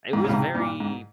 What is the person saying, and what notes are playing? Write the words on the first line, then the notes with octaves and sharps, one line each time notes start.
It was very
G#2
C#3
G#2 C3
G2 A#2
G#2